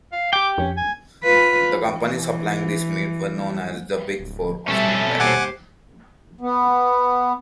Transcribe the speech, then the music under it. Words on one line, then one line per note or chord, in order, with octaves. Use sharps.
The companies supplying this meat were known as the "Big Four" of meatpacking.
F5
G4 G5 D6
F2 C#4
G#5
F4 B4
E3
D1
B2 G3 C4 C#4 A4 E5
D#2 G4 C5 F#5 G#5 D6
B3